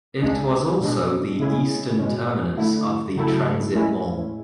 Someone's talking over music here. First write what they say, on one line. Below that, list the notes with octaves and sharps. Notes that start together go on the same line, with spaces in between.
It was also the eastern terminus of the transit mall.
C#2 C#3 G#3 D4 G#4
B2 G#3 D4
C#3 G#3 C#4 E4 G#4
B2 G#3 C#4
D3 A3 E4
C#3 F#3 A3 E4 A4
A2 G#3 C#4 E4